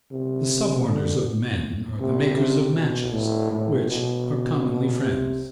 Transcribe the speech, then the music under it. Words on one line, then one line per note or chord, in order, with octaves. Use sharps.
The suborners of men are the makers of matches, which are commonly friends.
C3
D3
C3
C3
B2
A2
A2
B2
C3